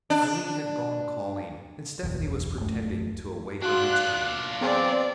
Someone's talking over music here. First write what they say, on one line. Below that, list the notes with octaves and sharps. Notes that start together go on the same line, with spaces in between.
Aileen had gone calling, and Stephanie was pretending to await her return.
D4
F#1 B1 E2
D1 F#2 A3
D4 F4 F#4 F5 C6 F#6
B3 C4 G#4 C5 D5